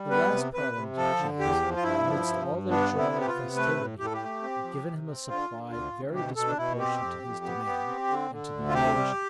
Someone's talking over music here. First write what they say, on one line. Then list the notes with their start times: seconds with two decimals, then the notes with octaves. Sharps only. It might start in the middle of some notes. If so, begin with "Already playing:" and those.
The last parliament of James, amidst all their joy and festivity, had given him a supply very disproportioned to his demand, and to the occasion.
Already playing: G3
0.10 B3 B4
0.32 C3
0.54 C3 B4
0.75 C3
0.96 F3 A4
1.18 D3
1.39 E2 G4
1.62 F3
1.76 F4
1.83 G2 E4
2.05 F3
2.27 G2
2.48 G2
2.70 B3 D4
2.91 C3
2.98 E4
3.12 B3
3.20 G4
3.28 F4
3.34 C3
3.56 A3 B4
3.77 A2
3.99 A2 G4
4.06 A4
4.14 G4
4.20 A3
4.42 C4
4.63 F3
4.85 C3
5.07 C4
5.29 D3 F4
5.50 D3
5.71 D2 F4
5.93 D2
6.14 B2 G4
6.36 B2 A4
6.47 D4
6.57 B2 E4
6.79 C4 G4
7.01 F2
7.23 F2
7.45 B3
7.66 B3
7.87 C4
8.09 D3
8.31 D3
8.52 D2
8.68 F4
8.73 C3 G4
8.96 G3